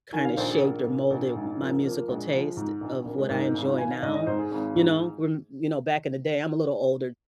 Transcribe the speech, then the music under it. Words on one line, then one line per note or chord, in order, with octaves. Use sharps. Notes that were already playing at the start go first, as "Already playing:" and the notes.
kinda shaped, or molded, my musical taste of what I enjoy now, you know? When you know, back in the day I'm a little older
D#3 G#5
F5
A#1 C5
G#4
A#1 A#3
A#1
A#1
G#2
F3 A#3
F3 A#3
A#1 G#3
F3
G#2
A#1
A#1 A#3
G#3
G#2 A#3
D#4
G#1
F4
D#3 G#5
F5
G#2 D#5
D#5
G#2 C5
G#4
G#1
G#2